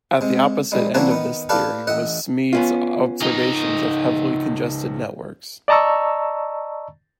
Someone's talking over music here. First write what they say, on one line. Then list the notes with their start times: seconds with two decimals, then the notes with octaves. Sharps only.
At the opposite end of this theory was Smeed's observations of heavily congested networks.
0.21 C3 G#3
0.72 A#1 G3 G#3
0.94 E3 G3 A#3 C4 D4 F#4
1.11 D#3 B3
1.49 G4 A4 B4 D5 F5 A5
1.87 A1 D#5 E5 F#5
2.53 B3 C#4 F4
3.20 C#2 D#4
5.68 D5 D#5 A5 A#5 C#6 E6